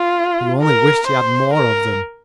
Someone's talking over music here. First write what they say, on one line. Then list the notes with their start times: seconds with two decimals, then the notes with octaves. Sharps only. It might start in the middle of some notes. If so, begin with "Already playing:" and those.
He only wished he had more of them.
Already playing: F4
0.61 A#4
1.07 C5
1.53 A#4